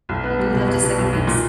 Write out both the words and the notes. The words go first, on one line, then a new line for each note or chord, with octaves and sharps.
We do love to study things.
B1
B3
G3
B2
B1
B2
B1
B1
A#2